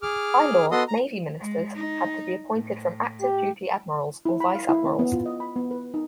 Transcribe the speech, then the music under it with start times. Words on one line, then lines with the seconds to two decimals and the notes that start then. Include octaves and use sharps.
By law, Navy Ministers had to be appointed from active duty admirals or vice-admirals.
0.02 G#4 D6 F6
0.71 B3 F#4 A4 D#5 C6 D#6
0.88 A#5
1.40 G#3
1.75 D#4
2.54 A2
3.21 G4
4.25 E4
4.40 B5
4.55 F5
4.69 E4
4.86 C#4
4.99 B3
5.13 F4
5.26 D#5
5.40 B5
5.56 B3
5.71 B4
5.94 D#4